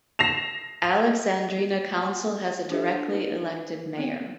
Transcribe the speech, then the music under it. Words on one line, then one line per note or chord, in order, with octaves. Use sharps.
Alexandrina Council has a directly elected mayor.
A#6 C7 E7 F7
D5 F#5 G#5 C6
D4 G4 A4 D#5 E5
D#4 E4 G4 B4
B3 C4 C#5